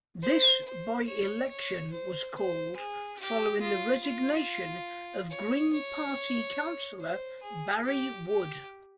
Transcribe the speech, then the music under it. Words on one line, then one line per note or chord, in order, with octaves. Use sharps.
This by-election was called following the resignation of Green Party councillor Barrie Wood.
C5
C5
C#5
C#5
C5
C5
G#4
G4
F4
F4
C#5
C#5
C5
G#4
G4
G4